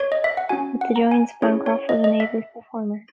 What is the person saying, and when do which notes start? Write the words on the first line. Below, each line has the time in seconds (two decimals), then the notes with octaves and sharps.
With the Giants, Bancroft was an able performer.
0.00 C#5
0.12 D#5
0.24 E5
0.37 F#5
0.49 C#4 F#4 G#5
0.81 F#5
0.96 A#5
1.11 G#5
1.42 C#4 E4 G#4 C#5
1.66 C#5
1.89 D#5
2.04 D#5
2.20 E5